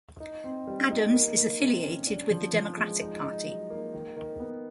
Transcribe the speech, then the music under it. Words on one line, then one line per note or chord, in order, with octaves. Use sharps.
Adams is affiliated with the Democratic Party.
D#4
C4
G3
D#4
A#3
A#3
C3
C#4
D4
F3
F3
G#3
D#4
D#4
F#3
A#3
D#3
D#3
B3